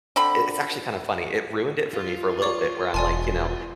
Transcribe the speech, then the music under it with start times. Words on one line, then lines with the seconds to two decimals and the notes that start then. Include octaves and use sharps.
it's actually kinda funny. It ruined it for me for a little bit where I'm like, "You know,
0.16 D3 C4 A4 B5
1.94 F4
2.42 C#5 D5 C#6 D6
2.94 E1 D5 G#5 A5 C6